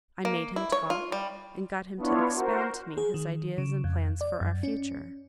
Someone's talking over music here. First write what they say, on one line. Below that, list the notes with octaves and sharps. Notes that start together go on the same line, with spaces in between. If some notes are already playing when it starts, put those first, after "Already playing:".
I made him talk, and got him to expound to me his ideas and plans for our future.
A#3
E4
C#5
F4
G3
B3 D4 E4 F4 C#5
F#4 A#4 C5
G#4
D#3
C#3
F2
D5
F#2
C#4